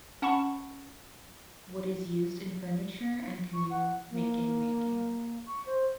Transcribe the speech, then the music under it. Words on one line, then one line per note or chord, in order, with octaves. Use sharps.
Wood is used in furniture and canoe making making.
C#4 F#5 A5 B5 C#6
C#6
F#5
A#3
C#6
C5